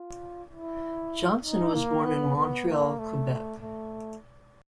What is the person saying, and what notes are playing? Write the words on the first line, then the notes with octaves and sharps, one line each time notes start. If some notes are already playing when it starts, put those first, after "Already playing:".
Johnson was born in Montreal, Quebec.
Already playing: F4
E4
D#4
A#3
B3
B3
A#3
A3
A3